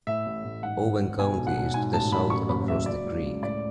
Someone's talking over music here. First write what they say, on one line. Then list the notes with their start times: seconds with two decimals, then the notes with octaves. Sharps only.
Owen County is to the south across the creek.
0.07 A2 E5
0.26 A1
0.44 A1
0.62 G#2 F#5
0.81 G#1
0.99 G#1
1.19 B2 G#5
1.37 B1
1.47 F#5
1.56 B1
1.74 G#2 G#5
1.93 A1 A5
2.12 A1 B5
2.30 F#2 C#6
2.49 F#1 B5
2.67 F#3 E5
2.86 C#3 D5
3.06 C#2
3.23 C#2
3.42 A2 D5